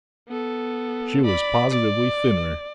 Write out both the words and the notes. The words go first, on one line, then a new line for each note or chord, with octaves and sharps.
She was positively thinner.
B3 A4
D5 B5
D5